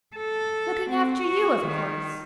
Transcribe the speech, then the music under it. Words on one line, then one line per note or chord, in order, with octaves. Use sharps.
"Looking after you, of course."
A4
C4
F#4
D#3